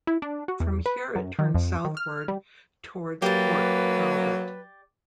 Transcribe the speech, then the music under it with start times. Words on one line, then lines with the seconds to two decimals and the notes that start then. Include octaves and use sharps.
From here it turns southward towards Port Talbot.
0.07 E4
0.22 D4
0.48 F#4
0.60 E2
0.86 B4
1.15 F#2
1.39 D#3
1.54 F2
1.85 D#3
1.97 F6
2.28 G3
3.22 F#3 A#3 G4 B4 D5